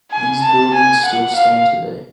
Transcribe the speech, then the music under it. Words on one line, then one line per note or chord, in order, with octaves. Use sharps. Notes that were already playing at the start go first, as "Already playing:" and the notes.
These buildings still stand today.
G#5
A5
G#5
F#5
F5